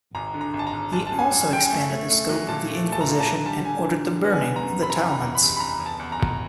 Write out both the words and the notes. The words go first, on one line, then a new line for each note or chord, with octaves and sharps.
He also expanded the scope of the Inquisition and ordered the burning of Talmuds.
G#1 A#5
D3
A#5
G#1
A5
A#5
G#1
G#1 A5
A5
F#2
G#5
F#2
G#5
F#2 G5
G#5
A3
A3
A3
F#3
A#2 A5
A3
A3 A5
A#5
A#2
A5
D3 A#5
G3 A5
D3 G#5
D3
D3
B3
G#5
B3
A#5
F#2
C3 B5
A#5
C3 B5
A#5
E2
B5
C3
B5
C3 A#5
E2
A5
E2
A#5
E2